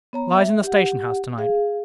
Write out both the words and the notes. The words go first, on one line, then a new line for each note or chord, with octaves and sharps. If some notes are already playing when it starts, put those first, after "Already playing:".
Lies in the station-house to-night.
B3 C#5 A#5
E5
G4 F#5
G#4 F5